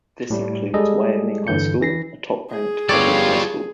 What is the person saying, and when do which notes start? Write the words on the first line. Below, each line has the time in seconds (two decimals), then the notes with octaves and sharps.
This includes Wyoming High School, a top-ranked public high school.
0.30 A2 G3
0.74 G3 G#3 G#4 A4 D#5
1.47 G2 D3 E3 G6 C#7
1.81 E3 A#6 C7
2.50 G#4
2.89 G1 G3 F4 A4 C#5 D5